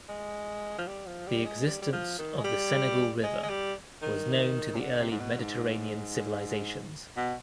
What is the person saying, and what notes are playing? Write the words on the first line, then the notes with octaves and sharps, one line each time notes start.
The existence of the Senegal River was known to the early Mediterranean civilizations.
G#3
F3
G3
F3
G3
G#3
G3
G3
F3
D#3
G#3
G3
G#3
G#3
G3
D#3
C3
D3
C3
G#2
B2
G#2
B2